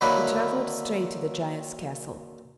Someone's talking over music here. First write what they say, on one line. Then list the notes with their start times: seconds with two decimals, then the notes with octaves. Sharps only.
He traveled straight to the giant's castle.
0.01 D3 D#3 F#3 A#3 E4 B4